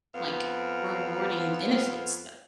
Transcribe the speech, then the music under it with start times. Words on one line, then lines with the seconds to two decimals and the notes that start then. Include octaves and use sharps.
like, rewarding benefits though.
0.14 F2 B3 F5